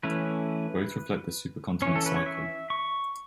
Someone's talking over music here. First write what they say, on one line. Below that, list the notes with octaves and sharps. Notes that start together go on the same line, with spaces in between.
Both reflect the supercontinent cycle.
E3 A3 C#4 B4
E3 C#4 C#5
A4
B4
C#5
E5
C#6